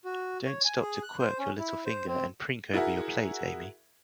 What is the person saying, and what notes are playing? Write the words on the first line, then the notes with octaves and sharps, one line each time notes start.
Don't stop to quirk your little finger, and prink over your plate, Amy.
F#4
C#5
G#5
G#4
F#6
C5
C#4
E4
C5
C4
E4 F#4 G#4 A#4 E5 F#5